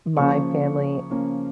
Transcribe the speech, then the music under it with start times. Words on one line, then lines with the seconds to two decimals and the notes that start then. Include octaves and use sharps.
my family
0.17 C#3 F3 A#3 C#4 C#6
1.10 C#3 F3 A#3 C#4